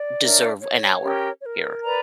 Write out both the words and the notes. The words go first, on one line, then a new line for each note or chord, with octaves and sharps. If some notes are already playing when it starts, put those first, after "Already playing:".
deserve an hour, here
Already playing: D5
D4 A#4 C#5 E5
C#5
C#4 G4 A#4
C#5
A#4
B4 D5 A#5